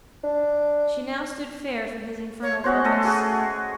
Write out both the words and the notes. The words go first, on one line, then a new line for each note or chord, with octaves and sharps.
She now stood fair for his infernal purpose.
D4
C#5
B3 C#4 F#4 C5
A3 A4 D#5
F#4 G#4